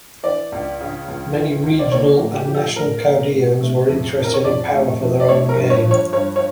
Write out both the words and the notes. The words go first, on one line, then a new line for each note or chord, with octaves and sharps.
Many regional and national caudillos were interested in power for their own gain.
E3 D5
C#2
C#3
C#2
E3
C#2
D5
A#3 C#5
A2
G4
F3 G4
A4
A2 A#4
A#3
A2
A3
F2
E3
A#4
C#5
F2 D5
A3
F2
D5
A3 C#5
A#4
G2
C#5
F3
C#5
G2 C#5
C#5